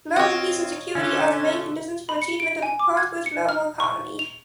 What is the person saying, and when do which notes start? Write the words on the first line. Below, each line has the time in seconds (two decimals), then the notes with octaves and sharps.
Global peace and security are the main conditions for achievement of the prosperous global economy.
0.16 C4 F4 C#5 D#5
0.95 D3 A3 C#4
2.09 B5
2.22 C#7
2.40 D7
2.62 G#5
2.79 D6
2.97 G#6
3.26 C#7
3.49 F6
3.80 C#6
4.19 F7